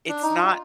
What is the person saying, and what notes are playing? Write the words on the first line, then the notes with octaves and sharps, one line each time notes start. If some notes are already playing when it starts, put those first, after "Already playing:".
it's not
D4
D#4
F4